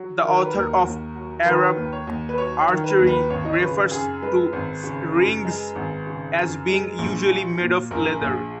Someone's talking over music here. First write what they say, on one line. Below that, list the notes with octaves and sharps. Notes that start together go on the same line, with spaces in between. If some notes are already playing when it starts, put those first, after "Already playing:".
The author of "Arab Archery" refers to rings as being usually made of leather.
Already playing: F#3
D#3 A#4
B4
D#2 A#4
D#2
F#3
D#3 B4
D#2
C#5
D#2
B4
F#3 C#5
C#5
D#3
B4
D#2
B4
G#1 C#5
D#5
C#5
C#3 B4
F#2 G#4
G#3 B4
G#1
C#3
F#2
G#3
G#1
C#3
F#2
G#3
A#1
F#3
A#2
A#1 A#4
A#1 G#4